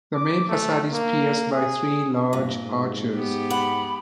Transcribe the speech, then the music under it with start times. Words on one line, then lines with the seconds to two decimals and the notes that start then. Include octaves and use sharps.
The main facade is pierced by three large arches.
0.15 D6
0.48 A3
0.92 A#3
1.53 G#4
2.33 G2 A#2
2.65 G#2
3.16 B3 G4
3.50 F#5 B5